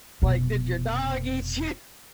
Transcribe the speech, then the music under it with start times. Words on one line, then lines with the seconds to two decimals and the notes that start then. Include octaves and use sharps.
Like, "Did your dog eat you?"
0.22 F1 B2